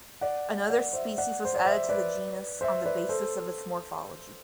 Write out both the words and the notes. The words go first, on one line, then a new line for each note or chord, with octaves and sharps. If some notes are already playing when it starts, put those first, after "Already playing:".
Another species was added to the genus on the basis of its morphology.
D5 F#5
D5 F#5
C5 E5
D5 F#5
C5
D5
C5 E5
B4 D5
C5 E5
B4 D5
A4 C5